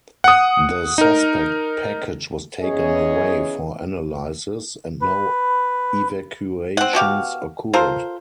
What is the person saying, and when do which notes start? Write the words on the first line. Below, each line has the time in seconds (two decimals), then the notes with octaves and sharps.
The suspect package was taken away for analysis and no evacuations occurred.
0.24 F#5 D#6
0.98 D#4 A#4
2.61 E2 C#4 G#4 C#5 D#5
5.01 B4
6.77 C4 F#5
6.93 B2 F#4 G4 F5
7.74 F4 A4 A#4 C5